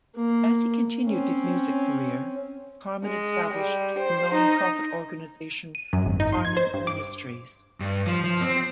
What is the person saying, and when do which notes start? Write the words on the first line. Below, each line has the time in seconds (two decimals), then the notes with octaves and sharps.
As he continued his music career, Carman established the nonprofit organization Carman Ministries.
0.15 A#3
1.08 C4 C#4
3.04 G#3
3.54 G3
3.99 C5
4.35 D#4
5.75 D#7
5.93 F#2
6.06 G#1
6.20 D#4
6.32 C6
6.45 G#6
6.57 C5
6.74 G2
6.87 D6
7.80 G2
8.07 F3
8.24 F3
8.41 C4